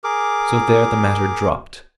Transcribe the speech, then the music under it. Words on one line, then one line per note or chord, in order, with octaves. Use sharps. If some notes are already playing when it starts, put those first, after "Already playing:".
So there the matter dropped.
G#4 A#4 D6